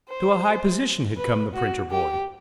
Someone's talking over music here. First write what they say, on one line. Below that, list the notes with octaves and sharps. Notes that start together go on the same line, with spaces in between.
To a high position had come the printer-boy.
C5
B4
F#4
G4